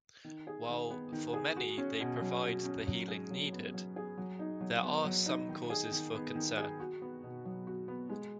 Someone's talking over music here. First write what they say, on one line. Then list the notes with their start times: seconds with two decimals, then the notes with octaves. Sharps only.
While for many they provide the healing needed, there are some causes for concern.
0.24 D#3
0.47 G#4
0.69 D#3
0.90 B3
1.12 D#3
1.34 G#4
1.56 F#4
1.78 C#4
2.00 B2
2.21 F#3
2.43 F#4
2.65 C#4
2.87 F#3
3.08 G#4
3.30 F#3
3.53 B3
3.74 F#3
3.96 G#4
4.17 F#3
4.39 D#4
4.61 F#3
4.83 B3
5.04 F#3
5.26 D#4
5.49 D#3
5.70 G#4
5.91 D#3
6.14 B3
6.35 D#3
6.58 G#4
6.80 F#4
7.02 B3
7.23 B2
7.45 F#3
7.67 F#4
7.88 B3
8.09 G#3